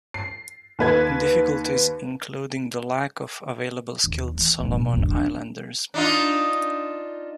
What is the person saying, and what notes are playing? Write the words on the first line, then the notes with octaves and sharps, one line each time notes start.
Difficulties include the lack of available skilled Solomon Islanders.
C7
D#2 B4 G#6
D#2
E3
D1
B2
G1 D#2
C4 D4
D4 D#4 F4